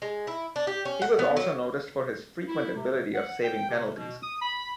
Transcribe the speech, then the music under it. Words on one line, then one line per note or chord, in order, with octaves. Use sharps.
He was also noticed for his frequent ability of saving penalties.
G#3
E4
D4
G4
C#4
F#5
B3
F#3
E4
C3
F#5
G5
C3
B2
D#6
B5